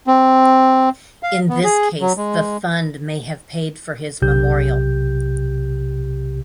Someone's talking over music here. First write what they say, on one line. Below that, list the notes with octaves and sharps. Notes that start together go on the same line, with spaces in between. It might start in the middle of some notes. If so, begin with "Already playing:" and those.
In this case the fund may have paid for his memorial.
C4
F5
B3
G#4
F#3
G#3
B1 C3 G4 G6